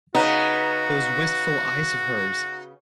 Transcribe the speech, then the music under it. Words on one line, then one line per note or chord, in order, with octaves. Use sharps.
Those wistful eyes of hers!
C#3 B3 D#4 F#4